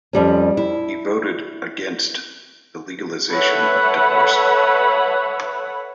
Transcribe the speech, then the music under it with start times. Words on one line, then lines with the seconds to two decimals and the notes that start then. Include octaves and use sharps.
He voted against the legalization of divorce.
0.13 F2 G3 C#4
0.57 E4
3.30 A4 B4 C#5 E5 F#5 B5